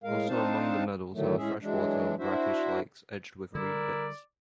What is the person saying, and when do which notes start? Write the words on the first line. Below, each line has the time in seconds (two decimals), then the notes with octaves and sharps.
Also among the meadows are freshwater or brackish lakes edged with reed beds.
0.04 A2 G#3 A#4 F5
0.28 C4 D4 D#4 C5 F5 A5
1.13 A2 D3 D#3 F#3 A3
1.37 A2 G#3 C#4 G#4 E5
1.62 E3 F#3 G#3 D4
2.19 D4 E4 F#4 C5 E5
3.55 D3 G3 E4 A#4 D5